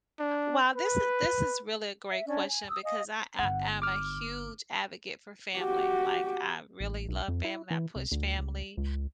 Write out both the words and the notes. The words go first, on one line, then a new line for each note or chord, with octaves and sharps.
Well, this is this is really a great question because I I I'm a huge advocate for family, like, I really love family, I push family.
D4
B4
E5
C#4 D4 C#5 D5
G#5
D#6 E6
D#5 F5 G#5 D#6
G1 D3 F#5
D6 F6
F#4 G4
A1
B1
F2
E4
E3
C2
D2
C#2
C#2